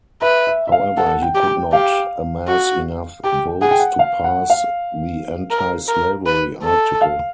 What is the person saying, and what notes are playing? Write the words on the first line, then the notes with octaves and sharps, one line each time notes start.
However he could not amass enough votes to pass the anti-slavery article.
B4 E5
E5
E5
F5
A4 F#5
G5
G4
G5
G4 F5
F#4
G4 G5
G#4 F#5
G5
F#5
F5
F#5
F5
A#4
A#4
B4
A4
F5